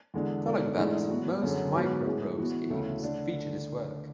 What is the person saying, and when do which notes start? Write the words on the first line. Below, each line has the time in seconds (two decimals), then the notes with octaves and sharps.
Following that, most MicroProse games featured his work.
0.14 E2 D3 G#3 D4
0.46 B2 G#3 D4 A4
0.77 G#2 E3 A3 D4 G#4
1.09 A2 F#3 B3 F#4
1.42 F#2 D3 F#3 C#4 G#4
1.74 G#2 F#3 B3 F#4 B4
2.06 A2 G#3 C#4 G#4
2.38 E3 B3 F#4
2.70 D2 C#3 E3 A3
3.02 D3 A3 D4